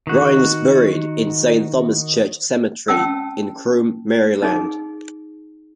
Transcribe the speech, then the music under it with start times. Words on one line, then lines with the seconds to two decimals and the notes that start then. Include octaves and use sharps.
Ryan was buried in Saint Thomas Church Cemetery in Croom, Maryland.
0.07 D#3 F#4
2.88 C#4 G5 A5 E6
4.43 D#4 G#4